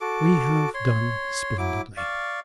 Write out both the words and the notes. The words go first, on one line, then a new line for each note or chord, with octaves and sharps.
We have done splendidly.
F#4 A4 D6
C#5 C6
F#3 E4 D6
D5 F5 C#6